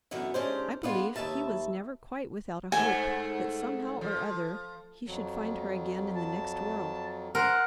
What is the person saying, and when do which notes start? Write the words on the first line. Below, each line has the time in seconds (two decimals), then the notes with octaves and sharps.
I believe he was never quite without a hope that somehow or other he should find her again in the next world.
0.11 F#2 D3 E3 B3 E5
0.34 G#2 C#4 D4 G4 C5
0.83 B3 D4 F4 G#4
1.16 D#2 B4 E5 A5
2.72 G#2 A3 G#5
4.01 F3
5.07 F2 F#3
6.15 A5
7.35 A#4 C5 F#5